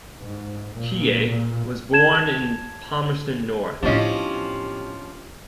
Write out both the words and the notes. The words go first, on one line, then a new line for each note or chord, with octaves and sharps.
Keay was born in Palmerston North.
G#2
A#2
A#2
A5 G#6 E7
A2 F3 B3 C#4 D4 F4 G4 D#5